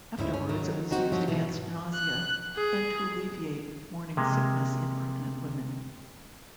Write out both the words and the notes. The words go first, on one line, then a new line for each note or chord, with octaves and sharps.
Afterwards it was used against nausea and to alleviate morning sickness in pregnant women.
D2 G#2 C#4 E4
C#4
D#3 F#3
C4 D#4 F#4
F3 F#3
G#2 B2 E3
F#6
G#4
C3 G#3 A#3